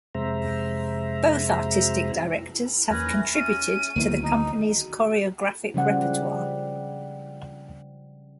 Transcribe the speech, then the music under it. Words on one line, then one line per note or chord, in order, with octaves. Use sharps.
Both Artistic Directors have contributed to the company's choreographic repertoire.
F2 C3 G#3 C5 E5 A#5
E2 F3 A#3 C#4 B4 G#5 A#6
E5 A6
C#4 D#7
D2 D#3 F#3 A#3 B3 E4
D#4
C#3 F3 G3 F#5